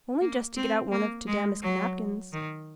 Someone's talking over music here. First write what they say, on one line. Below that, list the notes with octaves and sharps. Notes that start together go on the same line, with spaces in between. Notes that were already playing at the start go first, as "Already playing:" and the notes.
'Only just to get out one of t' damask napkins.'
A#3
C4
A#3
G#3
F#3
D#3